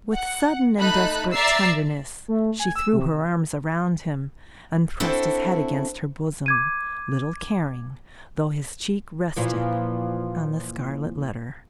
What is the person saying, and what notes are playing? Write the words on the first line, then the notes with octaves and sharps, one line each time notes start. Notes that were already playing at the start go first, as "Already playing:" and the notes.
With sudden and desperate tenderness she threw her arms around him, and pressed his head against her bosom, little caring though his cheek rested on the scarlet letter.
F#5
A3 D#4 A5 B5 F#6
D5 E5 A#5 E6 A6 C7
A3
G#5
E6
C3
C4 D4 E4 F#4 A4 C5
D6 G#6 D#7
A#2 E3 F3